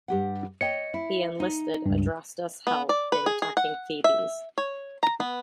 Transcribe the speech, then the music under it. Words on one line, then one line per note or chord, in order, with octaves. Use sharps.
He enlisted Adrastus' help in attacking Thebes.
G2 G4 F#5
C#5 D#5 G5 C#7
E4
D#4
C#2 G2
B3
D5
B4
G#4
G#4
F#5
E5
C#5
A#5
B3